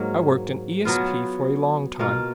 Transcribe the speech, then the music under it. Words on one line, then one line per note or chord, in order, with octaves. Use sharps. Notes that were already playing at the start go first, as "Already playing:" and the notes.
I worked in ESP for a long time.
Already playing: G#2 F#3 A#3
F#3 B3 F4
B2 A#3 F4